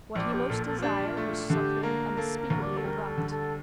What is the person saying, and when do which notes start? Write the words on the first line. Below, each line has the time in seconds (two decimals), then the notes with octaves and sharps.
What he most desired was something unspeakably abrupt.
0.15 A#1 D5
0.33 G4
0.49 A#2 A4
0.66 A4
0.78 F4
0.82 D4 G4
1.05 F4
1.17 A3
1.28 F4
1.50 D3 G4
1.83 A#3 A#4
2.17 A#3 A4
2.39 A#4
2.50 D2
2.62 D5
2.77 A4
2.84 G3 A#4
3.07 A4
3.18 D3
3.30 A4